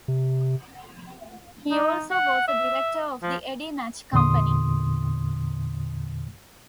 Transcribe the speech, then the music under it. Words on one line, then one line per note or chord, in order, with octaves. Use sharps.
He also was a director of the Eddy Match Company.
C3
D#4
F#5
E5
F3
E2 A#2 D3 C6 D#6